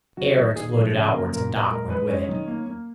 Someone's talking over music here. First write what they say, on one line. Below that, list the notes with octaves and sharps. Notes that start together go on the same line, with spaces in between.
Air exploded outwards, and Doc went with it.
D#3 F#4
D#3
A#2 G#4
F3
C#3 G#4
A#3 A#4
A#2 A#4
A#2
G#3 A#4
G#3 B4
G#3 C#4
D#3
A#3
A#3